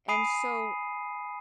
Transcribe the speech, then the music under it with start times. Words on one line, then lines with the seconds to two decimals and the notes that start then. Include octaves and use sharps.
And, so
0.08 G#5 B5 D#6 C7 D#7